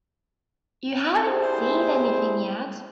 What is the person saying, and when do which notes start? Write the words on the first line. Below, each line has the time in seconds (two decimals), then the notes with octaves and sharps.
You haven't seen anything yet.
1.23 D4 E4 G4 G#4 C5